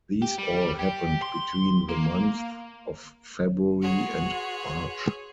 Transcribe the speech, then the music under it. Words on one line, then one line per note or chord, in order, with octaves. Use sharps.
These all happened between the months of February and March.
G4
G3
G4
C6
A#3
F#4 G#4 B4 C#5 C6